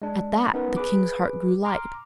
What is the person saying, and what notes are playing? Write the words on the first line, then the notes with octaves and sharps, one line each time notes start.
At that the king's heart grew light.
G#3 D4
B3 C#4 D#4 A#4 B4
G#4 B4 D6
A#5 C6 D6 F6